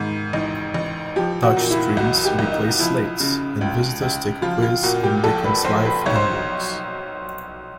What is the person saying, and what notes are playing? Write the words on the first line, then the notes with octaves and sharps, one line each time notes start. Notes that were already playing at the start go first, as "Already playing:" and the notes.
Touch-screens replace slates, and visitors take a quiz on Dickens' life and works.
Already playing: G#2 D#3
A1 D#4
A1
F3 G4
F#4
A#2
E4
B1 F#4
G4
B1
D#4
F3 E4
C#3
C#2
C#2
F3 F4
F4
A#2 F#4
G4
A#1 A4
B4
A#1 C5
B4
B1 C#5
C5